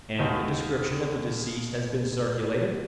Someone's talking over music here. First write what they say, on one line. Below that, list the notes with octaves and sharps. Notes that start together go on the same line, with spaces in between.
"And the description of the deceased has been circulated?"
D#2 B2 B3 D#4